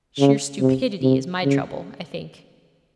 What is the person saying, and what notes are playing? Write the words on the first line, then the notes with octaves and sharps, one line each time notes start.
Sheer stupidity is my trouble, I think.'
C#3
C3
C3
C#3